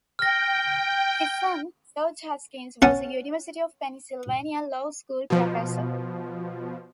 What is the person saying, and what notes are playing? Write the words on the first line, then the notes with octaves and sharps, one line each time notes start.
His son George Haskins was a University of Pennsylvania Law School professor.
G5 F6 A#6
C#4 F#5 A5
B2 F3